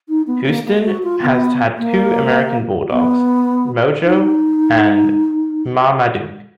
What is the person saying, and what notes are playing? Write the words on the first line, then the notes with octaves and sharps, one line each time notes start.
Houston has had two American Bulldogs, "Mojo" and "Marmaduke".
D#4
B3
A#3
A#3
F#4
F4
B3
A#3
B3
D#4